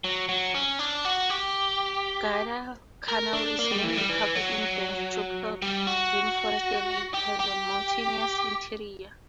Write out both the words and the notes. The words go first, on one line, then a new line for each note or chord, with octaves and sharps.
Guadalcanal is mainly covered in dense tropical rainforest and it has a mountainous interior.
F#3
F#3
C#4
D4
F#4
G4
A#4
D4
A#3
G3
E3
G3
E3
F#3
G3
F#4
G4
G4